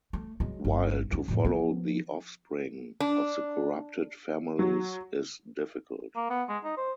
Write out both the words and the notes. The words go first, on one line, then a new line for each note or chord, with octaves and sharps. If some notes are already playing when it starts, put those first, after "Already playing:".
While to follow the offspring of the corrupted families is difficult.
A3
F#3 G#3
G1
C#4 D#4
F2 A2
F3 B3
D4
F#3
A#3
B3
G#3
D#4
C5